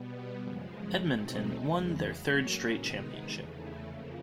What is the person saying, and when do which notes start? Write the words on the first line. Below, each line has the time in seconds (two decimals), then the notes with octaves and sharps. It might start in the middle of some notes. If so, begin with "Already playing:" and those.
Edmonton won their third-straight championship.
Already playing: B2 G3 B3
0.37 F#2 C#3 F3 G#3
0.95 B2 F#3 A3 C4 D#4
1.53 E2 C#3 E3 G#3
2.10 A2 F#3 A#3 C#4 F#4
2.68 C3 D#3 G#3 B3 D#4
3.25 E2 C#3 E3 A3
3.83 F2 C#3 F3 A#3